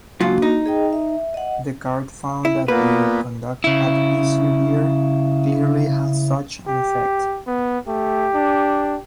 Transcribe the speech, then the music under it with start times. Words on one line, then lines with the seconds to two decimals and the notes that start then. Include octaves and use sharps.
The Court found that the conduct at issue here clearly had such an effect.
0.21 C#2 F#3 A#3 D4 F4 F#4
0.42 D#4
0.66 G#4 D#5 G5
0.93 E5
1.34 D#5 F#5
2.45 E4
2.68 A#2 A#3 B3 B4
3.64 C#3 E4
6.67 G4
7.47 B3
7.88 A3 G4
8.35 D4